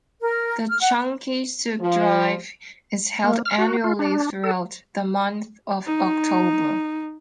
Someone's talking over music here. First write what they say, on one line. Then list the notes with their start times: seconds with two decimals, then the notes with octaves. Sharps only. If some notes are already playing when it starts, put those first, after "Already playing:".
The Chunky Soup Drive is held annually throughout the month of October.
0.21 A#4
0.68 F6
0.82 F#5
1.80 F3
3.24 A#3
3.45 F6
3.58 F#4
3.84 F4
3.99 D4
4.44 A4
5.86 D#4